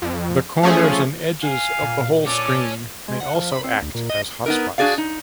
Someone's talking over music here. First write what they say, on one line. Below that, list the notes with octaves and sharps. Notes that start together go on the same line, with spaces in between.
The corners and edges of the whole screen may also act as hotspots.
F2
F3 A3 C#4 G#4
F5 G#5
A#2
C#4 D4 A4 D5 D6
G#3
F#5
F3
B5
C4
D2
A#2
D#5
B3 D#4 A#4
D4 F#4 G#4 D5 F5
D#4